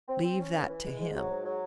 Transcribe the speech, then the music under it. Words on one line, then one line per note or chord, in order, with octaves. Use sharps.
"Leave that to him."
C4
C4
C#4
E3
E3
G#3
G#2
F#3
G#2
F#3